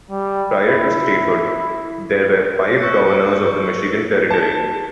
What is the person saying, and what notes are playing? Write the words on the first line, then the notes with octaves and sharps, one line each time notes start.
Prior to statehood, there were five governors of the Michigan Territory.
G3
E4
C#6 E6 F#6 G6 C#7
A5